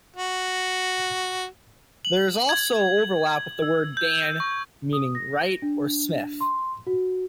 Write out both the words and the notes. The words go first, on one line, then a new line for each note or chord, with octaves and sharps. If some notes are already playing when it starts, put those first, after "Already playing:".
There is also overlap with the word "dan" meaning "wright or smith".
F#4
F#7
G#6
E6
G6
C#6
D#6
A#6
D4
C6
F#4